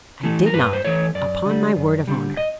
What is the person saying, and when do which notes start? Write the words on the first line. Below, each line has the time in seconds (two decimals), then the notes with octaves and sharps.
"I did not; upon my word of honour."
0.23 E3 A3
0.46 A#4
0.54 G2 B4
0.73 C5
0.85 E3 A3 C#5
1.15 F#2 D5
1.46 D3 G3
1.76 F#2
2.08 D3 G3
2.37 D#5